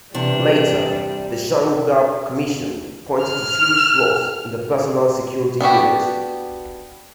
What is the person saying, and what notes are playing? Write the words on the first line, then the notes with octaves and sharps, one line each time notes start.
Later, the Shamgar Commission pointed to serious flaws in the personal security unit.
C3 E3 G3 D4
F6
B3 D4 F#4 G4